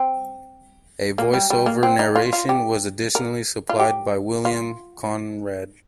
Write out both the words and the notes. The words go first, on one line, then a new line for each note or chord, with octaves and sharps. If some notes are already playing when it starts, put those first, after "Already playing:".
A voiceover narration was additionally supplied by William Conrad.
Already playing: C4
A#3
G3
G3
A#3
C4
D#4
F4
F4
G4
A#4
F4
G4
F4